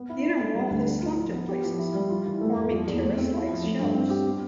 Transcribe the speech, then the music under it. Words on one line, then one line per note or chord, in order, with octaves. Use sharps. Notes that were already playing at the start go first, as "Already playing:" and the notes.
The inner wall has slumped in places, forming terrace-like shelves.
Already playing: B3
E4
D4
A4
G3
D2
D4
F4
F3
B3
G4
F3
E4
G3
F4
E3
A3
F2
F3
E2
A3
C4
E4
F3
A3
G2
C4
G4
B3